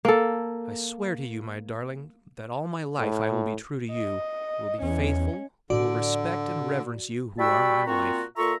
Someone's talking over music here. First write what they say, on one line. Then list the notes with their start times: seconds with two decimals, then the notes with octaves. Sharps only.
I swear to you, my darling, that all my life I will be true to you, will be faithful, will respect and reverence you who are my wife.
0.05 A#3 A4
2.99 A2
3.92 D#5
4.82 E2 C#4
5.70 A2 D3 F4 F#4 D5
7.39 G3 F#4 G5 A5 B5 E6
7.86 A#2 C4 F4 F#4 A#5 C#6
8.37 A#2 F4 A4 E5 A#5 C#6